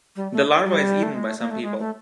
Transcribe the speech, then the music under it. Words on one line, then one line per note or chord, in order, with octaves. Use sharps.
This larva is eaten by some people.
G3
A3
G3
A3
G#3
A3
A#3
A3
G#3
A3